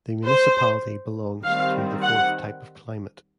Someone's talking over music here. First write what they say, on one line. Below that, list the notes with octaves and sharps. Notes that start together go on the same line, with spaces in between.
The municipality belongs to the fourth type of climate.
C5
D#3 G3 C4 F5
F#5